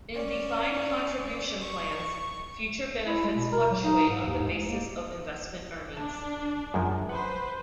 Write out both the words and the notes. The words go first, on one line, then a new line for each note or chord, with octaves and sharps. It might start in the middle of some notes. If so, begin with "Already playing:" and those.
In defined contribution plans, future benefits fluctuate on the basis of investment earnings.
C#4 D5
C#6
E4
G#3
B2
A#4
F#3
D#4
G#2
D#2
G#3
A#3
D4 A5
F#2 F3 G#3
B4 C5 F#5